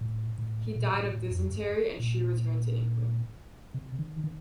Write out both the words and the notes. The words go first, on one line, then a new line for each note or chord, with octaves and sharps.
He died of dysentery and she returned to England.
A2
A2
A#2
A2
A2
F2
G2
A#2
C3
D#3
D#3